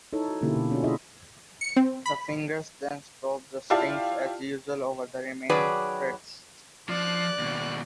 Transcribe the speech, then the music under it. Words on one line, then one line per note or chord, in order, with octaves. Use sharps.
The fingers then stop the strings as usual over the remaining frets.
D#4 E4 A4 C#5
F#4
B2 D3 A#3 C#4 E4 G4
B2
C#4 D4 F4 F#4
D4 E4 F4 G#4 D#5 E5
C#7
C4
B5
E4 F4 G4 D5 F5 A5
D#3 F#3 G#4 B4 D5
F3 D5 F#6
D#2 B2